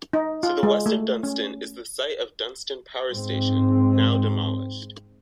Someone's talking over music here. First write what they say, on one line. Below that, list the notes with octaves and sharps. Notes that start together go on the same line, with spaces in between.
To the west of Dunston is the site of Dunston Power Station, now demolished.
D#4
F4
G#3
A3
C#4
G#2 C4